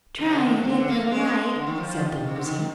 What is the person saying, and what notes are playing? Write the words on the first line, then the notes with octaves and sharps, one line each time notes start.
"Try it, if you like," said the Woozy.
D3
C3
D3
D#3
C3
D3
C3
D3
A#3
A#3
G#3
D3
D#3
F3
F3
D#3
C3
D3
D#3
D#3